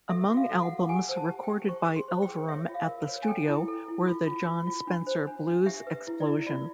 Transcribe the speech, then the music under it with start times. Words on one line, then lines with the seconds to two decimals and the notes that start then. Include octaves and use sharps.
Among albums recorded by Elverum at the studio were the Jon Spencer Blues Explosion.
0.09 A4 E5
0.30 F#4
0.37 F5
0.49 A4
0.63 F#5
0.69 F#4
0.89 G4 G#5
1.09 C5
1.17 A5
1.29 G4
1.43 G5
1.50 G4
1.69 C5 C#6
1.88 G#4
1.96 C6
2.08 C5
2.22 G5
2.29 G#4
2.48 C#5 E5
2.69 F4
2.75 F5
2.89 A#4
3.09 C#5
3.22 G#5
3.28 A4 G5
3.47 E4
3.68 A4
3.88 E4
4.07 F4
4.27 F4
4.47 F4
4.67 F4
4.87 D4
5.07 C5
5.27 D4
5.47 D4
5.66 G4 E5
5.87 B4
6.07 E4
6.20 D5
6.26 E4
6.47 F4 D5